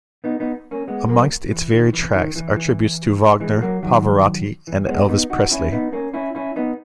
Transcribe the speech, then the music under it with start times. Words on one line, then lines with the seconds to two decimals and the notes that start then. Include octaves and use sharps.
Amongst its varied tracks are tributes to Wagner, Pavarotti and Elvis Presley.
0.24 B3 D#4
0.40 B3 D#4
0.71 A#3 C#4
0.88 G#3 B3
1.09 F#3 A#3
1.51 E3
1.72 D#3
1.93 E3
2.14 D#3
2.36 E3
2.56 E3
3.40 E3 G#3
3.61 F#3 A#3
3.83 D#3 F#3
4.67 E3
4.87 G#3 B3
5.09 B3 D#4
5.30 D#4 F#4
5.51 C#4 E4
5.72 B3 D#4
5.92 A#3 C#4
6.14 C#4 E4
6.35 C#4 E4
6.56 B3 D#4